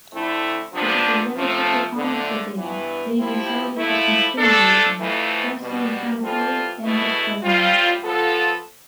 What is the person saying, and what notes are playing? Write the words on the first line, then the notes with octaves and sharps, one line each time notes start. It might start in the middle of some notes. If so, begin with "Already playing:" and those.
It is a relatively harmless disease, leading solely to some skin lesions, firstly inflammatory, then dyschromia.
D3 A3 C4 E4
E2 C3 F3 B3 D4
C3 F3 A3
F2 D3 A3
G2 E3 B3
F3 C4 E4 G4
C3 F3 A3 E4
F3 A3 D4 A4
F2 E3 A3
B2 G3 B3
E3 G3 C4 F4 A4
E2 B2 A3 E4
A2 G3 C4 F4
F3 B3 F4 A4